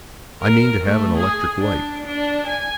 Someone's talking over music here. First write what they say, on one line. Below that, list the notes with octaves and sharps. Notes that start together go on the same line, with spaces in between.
"I mean to have an electric light."
A#4
A3
G#4
D4
D4
G#5